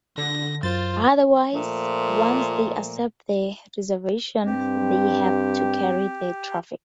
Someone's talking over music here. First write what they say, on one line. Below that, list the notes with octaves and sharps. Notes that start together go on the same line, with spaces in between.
Otherwise, once they accept the reservation they have to carry the traffic.
D3 A#6
F#2 F4 C5 A6
A#2 F3 A3
G2 C4 G4